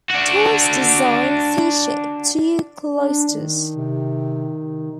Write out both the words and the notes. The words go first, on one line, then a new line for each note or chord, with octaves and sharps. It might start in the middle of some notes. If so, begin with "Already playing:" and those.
Torres's design featured two cloisters.
D4 F#4
D4
D#3
C3